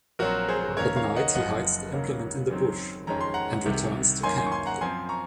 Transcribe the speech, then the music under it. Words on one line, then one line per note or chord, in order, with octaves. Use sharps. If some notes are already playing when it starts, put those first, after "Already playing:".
At night he hides the implement in the bush and returns to camp.
A#1 A#2 F#3 C4 F#4 A#4
G#4 C5
D#2 D#3 A#3 C#4 A#4 C#5
C#5 F5
D#5 F#5
F#1 F#2 F3 D#5 F#5
D#2 C#3 F#3 A#3
F#2 D#3 F#3 C4
F2 D#3 G#3 C#4 A#5
C6
F#5 A#5
C2 C3 D#3
F#2 D#3 A#3 C#4 G#5 C6
G#5 C6
C#6
G#5 C6
F#5 A#5
F#2 F3 C4 G#5 C6
A#5 C#6